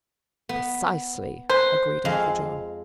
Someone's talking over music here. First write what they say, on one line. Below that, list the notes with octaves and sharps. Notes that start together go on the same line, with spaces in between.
"Precisely," agreed Uncle John.
B3
B4 C5
F2 G#3 F5